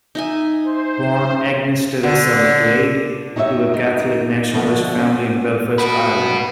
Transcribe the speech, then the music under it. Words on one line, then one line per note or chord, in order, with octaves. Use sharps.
Born Agnes Teresa McGlade to a Catholic nationalist family in Belfast, Ireland.
D#4 E5 G#5
C5
D3
D#4 G4 C#5 D5 E5
D#4
B2 D3 F3 A3 B3
C4 C#4
F#4 B4